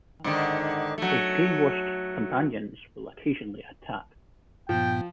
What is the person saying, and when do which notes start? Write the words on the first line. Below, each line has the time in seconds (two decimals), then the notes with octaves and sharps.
His brainwashed companions will occasionally attack.
0.24 G#2 D3 D#3
0.98 F#3 A3
4.69 G2 A#2 F3 B3 G5